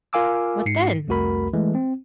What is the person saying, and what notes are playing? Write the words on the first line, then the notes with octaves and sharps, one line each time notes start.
"What then?"
F4 A#4 F5 G#5 D6 E6
G#2 C7 C#7
C2 F2 A3 F#4 A#4 B5
E3 G#3 A3
C4